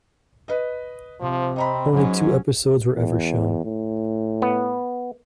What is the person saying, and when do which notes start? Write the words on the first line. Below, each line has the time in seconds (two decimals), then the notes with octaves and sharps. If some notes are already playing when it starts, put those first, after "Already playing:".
Only two episodes were ever shown.
0.48 B4 D#5
1.21 C3 F3
1.56 C4 D#5 A#5 B5
1.92 G#2 F#3 C#4
2.95 E2
3.64 A2
4.42 B3